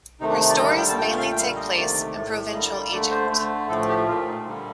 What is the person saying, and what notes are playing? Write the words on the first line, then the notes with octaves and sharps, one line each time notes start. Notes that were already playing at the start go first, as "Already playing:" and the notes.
Her stories mainly take place in provincial Egypt.
C3 D#3 A3 D#4
D4
D#4
D5
D3 G3 A#3 D#5
F5
G5
A5
A#2 A3 G5
F5
G5
D3 G3 A#3 F5
D#5
C3 D#3 A3 D5
A2 A3
D3 G3 A#3 D#5
D5
D3 A3 D5
C5
D3 A3
A2 F3 A3 A4
G4
A#2 A3 F4
D#4
D3 G3 A#3